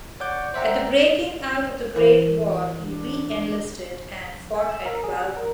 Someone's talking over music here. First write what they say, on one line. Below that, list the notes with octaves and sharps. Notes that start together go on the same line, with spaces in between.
At the breaking out of the great war he re-enlisted and fought at Valmy.
C#5 D5 F#5 C#6 D6 G6
C5 D5 E5 F#5 G5 A#5
E3 A#4 C5
D4
G#5
E6
A#4
G#4
F#5
A#4